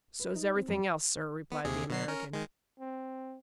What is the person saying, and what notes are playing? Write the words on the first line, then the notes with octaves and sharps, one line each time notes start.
"So's everything else, sir," replied the American.
B4
D#4
C4
F#2
B3
D#2 C3 G#4
B2 F#3 C7
C#4 A#4
D#3 G#3
C4